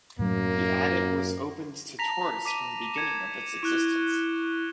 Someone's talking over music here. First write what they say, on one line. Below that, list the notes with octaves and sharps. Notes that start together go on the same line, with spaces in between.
The adit was opened to tourists from the beginning of its existence.
F#2 A2 F#3 A#3
A5 A#5 A#6 B6 F7
D6 B6 D#7
G#6 C#7 E7
E4 C#6 F#6 G7